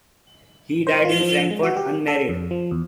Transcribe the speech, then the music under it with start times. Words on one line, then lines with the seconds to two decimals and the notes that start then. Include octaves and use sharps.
He died in Frankfurt, unmarried.
0.87 C5
1.05 F4
1.20 F3
1.51 G#3
1.63 F#4
1.77 G4
2.08 A4
2.29 F2
2.51 F3
2.71 E2